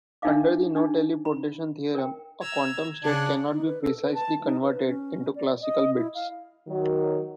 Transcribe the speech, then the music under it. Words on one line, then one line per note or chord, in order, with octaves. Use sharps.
Under the no-teleportation theorem, a quantum state cannot be precisely converted into classical bits.
D4 D#4 A#4 E5 F5 D6
D4 D#4 G#4
B5
A#4 G5
A#5 E6 G#6
C#3 D4 G#4 F#5
D#4
B4
A4
B4
A5
D#4
B4
C#4
D5
D#5
E4
F5
D#3 F#3